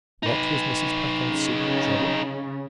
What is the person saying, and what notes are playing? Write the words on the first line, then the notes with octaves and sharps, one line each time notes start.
What was Mrs. Packard's secret trouble?
D#4 B4
C#3